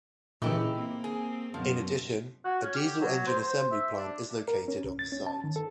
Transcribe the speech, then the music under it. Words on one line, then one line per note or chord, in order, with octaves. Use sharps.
In addition, a diesel engine assembly plant is located on the site.
A#2 C#3 E3 D#4 E4 G4
A#3 C4
G#4
F#2 B2 F3
F#4
C#4
G4
F#3
C5
C5
E5
D4
A#4
C#4
C2
A6
C#4
A5
D#3
A4